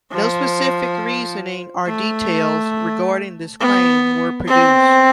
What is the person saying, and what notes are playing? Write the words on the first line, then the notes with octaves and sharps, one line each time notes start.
No specific reasoning or details regarding this claim were produced.
F3
A3
B3
C4